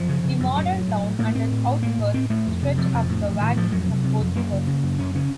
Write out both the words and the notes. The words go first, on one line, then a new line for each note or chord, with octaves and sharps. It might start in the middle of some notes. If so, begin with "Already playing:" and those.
The modern town and its outskirts stretch up the valleys of both rivers.
Already playing: F#2 F3
C#3
C#3
F#2
A2 F#3
A2
A2
A2
A2 A#3
A2 C4
A2
A2
A2 A#3
A2
A2 C4
A2 A3
F2
C3
C3 F3
F#3
F2 F3
A2
A2
A2 D#3
A2 F3
F2 F#3
C3
C3
F2
F#2 A#3
C#3
C#3
F#2
F#2 C#4
C#3 C#4